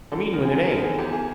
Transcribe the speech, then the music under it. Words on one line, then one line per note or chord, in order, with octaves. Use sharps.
"I mean when it ain't."
F#2 A4
D#3 A#4
G#4
F#2 A4
A4
D#3
G#4
E2 G4
G#4